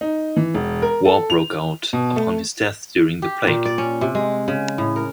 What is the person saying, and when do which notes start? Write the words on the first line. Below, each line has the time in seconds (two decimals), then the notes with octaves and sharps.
War broke out upon his death during the Plague.
0.01 D#4
0.36 E3
0.54 E1
0.82 A#4
1.05 A4
1.30 F7
1.93 B2
2.16 A3
3.22 G4
3.47 A#2
3.65 D5
3.78 C#4
4.01 C3
4.15 G#3
4.48 C#3
4.78 A2
4.96 A#4